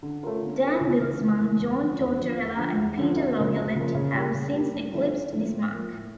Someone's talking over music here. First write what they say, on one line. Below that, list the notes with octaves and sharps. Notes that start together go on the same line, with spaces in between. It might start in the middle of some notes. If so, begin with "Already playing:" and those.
Dan Bylsma, John Tortorella and Peter Laviolette have since eclipsed this mark.
D3
A3 C#4 F4 A#4
D3
A3 C#4 F4 A#4
C#2
C#3 E3 A#3
C#2
C#3 E3 A#3
E2
D3 F3
E2
D3 F3
E2
D3 F3
E2
D3 F3
D2
C#3 F3 A#3
D2
C#3 F3 A#3
C#3
G3 A#3
C#3
G3 A#3
G2
D3 F3 A3 E4
G2
D3 F3 A3 E4
A2
F3 A#3
A2